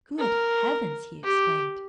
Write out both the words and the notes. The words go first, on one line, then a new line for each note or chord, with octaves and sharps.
"Good heavens!" he exclaimed.
A#4
G4